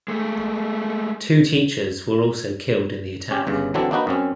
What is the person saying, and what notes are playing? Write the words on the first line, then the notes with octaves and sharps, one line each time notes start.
Two teachers were also killed in the attack.
G#3 A3
C#4 G4
G1 G2 C#3
D3 E3 F#3 C4 D4 A4
A#3 D4 D#4 F#4 B4
F#2 C4 C#4